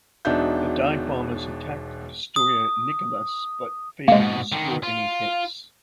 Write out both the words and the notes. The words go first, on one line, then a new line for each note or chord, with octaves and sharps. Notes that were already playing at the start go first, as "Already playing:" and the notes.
The dive bombers attacked the destroyer Nicholas but failed to score any hits.
E1 B2 D4 D#4 E5 G6
D#6
G#2 B2 G#3 A#3
D3 D#3
F4